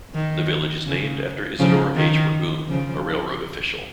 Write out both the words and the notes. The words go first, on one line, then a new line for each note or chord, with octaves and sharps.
The village is named after Isadore H. Burgoon, a railroad official.
D#3
C#3
C#3 F3
D#3
C#3 F3